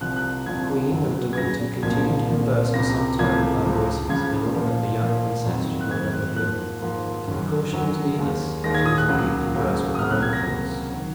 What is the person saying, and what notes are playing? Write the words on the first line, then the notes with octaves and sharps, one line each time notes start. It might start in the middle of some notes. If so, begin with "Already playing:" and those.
The queen and De Winter continued to converse for some time in low voices, in order that the young princess should not overhear them; but the precaution was needless: she was in deep converse with her own thoughts.
C2 C3 F3 F#6
F#6
C2 C3 F3 G#6
F#2 C#3 F#3
G#6
F#2 C#3 F#3 A#6
C2 A#2 F3 A#3 G#6
C2 A#2 F3 A#3
C#2 C3 F3 A#3 A#6
C#2 C3 F3 A#3 G#6
C#2 C#3 F3
C#2 C#3 F3 G#6
A#2 F3 A#3
A#2 F3 A#3
F2 D#3 F#3 A#3
F#6
F2 D#3 F#3 A#3 G#6
F#6
G#2 F3 A#3 F#6
G#2 F3 A#3
F#2 D#3 F#3
F#2 D#3 F#3
D#2 D#3 G#3
D#2 D#3 G#3 A#6
G#6
D#6
F#6
C#2 C#3 F#3 A#3
C#2 C#3 F#3 A#3
D#6
C#2 C3 F#3 A#3 F6
F#6
G#6
A#6
C#2 C3 F#3 A#3
D#3 F#3